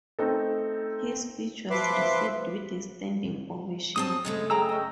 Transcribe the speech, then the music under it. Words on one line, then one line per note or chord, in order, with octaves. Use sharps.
His speech was received with a standing ovation.
A3 C4 D#4 A4
F3 B4 E5 C6 D6
F#3 C4 A5 D#6
F#2 C#3 G#3 A3
G#4 C#5 G5 A#5 E6
C#4 D#5